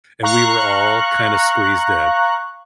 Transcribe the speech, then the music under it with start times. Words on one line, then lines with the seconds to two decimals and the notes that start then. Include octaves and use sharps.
and we were all, kinda squeezed in,
0.23 F5 A#5 C#6 F#6